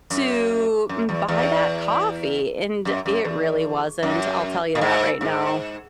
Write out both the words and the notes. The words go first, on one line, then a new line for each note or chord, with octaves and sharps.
to buy that coffee, and it really wasn't, I'll tell you that right now.
F#2
F#2
E2
E2
F#2
F#2
E2
F#2
A#2
G#2
G#2